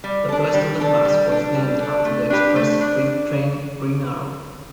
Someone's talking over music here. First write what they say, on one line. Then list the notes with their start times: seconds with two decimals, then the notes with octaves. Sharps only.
The first of the class was named after the express freight train "Green Arrow".
0.04 G3
0.29 D4 A4
0.54 G3
0.80 D4 A4
1.05 G3
1.29 D4 A4
1.55 G3
1.80 D4 A4
2.05 A3
2.30 D4 G4 B4
2.56 A3
2.81 D4